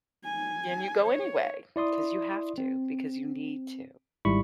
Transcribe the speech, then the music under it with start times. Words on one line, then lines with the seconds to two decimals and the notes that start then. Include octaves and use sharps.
Then you go anyway 'cause you have to, because you need to.
0.25 G#5
1.03 C#5
1.76 E4 D5 C6 D#6
2.58 C4
4.25 G#1 G#2 G3 E4 B5 C#6